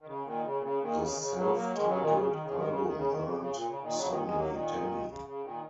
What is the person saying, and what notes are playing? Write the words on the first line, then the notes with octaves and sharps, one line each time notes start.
The self-titled album earned Suddenly, Tammy!
D#3
C#3
A#2 D#3
C#3
A#2
C#3
A#2 D#3
C#3
D#3
C#3
C#3 F#3
F#3 A#3
D#3 G#3
C#3 F#3
A#2 D#3
C#3
D#3
C#3
D#3
C#3
D#3
C#3
D#3
C#3
C#3
A#2
C#3
A#2 D#3
C#3 F#3
A#2 D#3
D#3 G#3
F#3 A#3
A#2 D#3
C#3
C#3
A#2 D#3